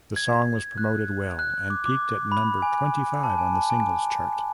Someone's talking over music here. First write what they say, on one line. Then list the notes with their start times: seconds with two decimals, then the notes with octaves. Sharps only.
The song was promoted well and peaked at number twenty-five on the singles chart.
0.16 G#6
0.78 F#6
1.39 F#6
1.70 D6
1.86 D6
2.32 B5
2.62 G#5
3.23 A5
3.38 G#5
3.54 A5
3.70 G#5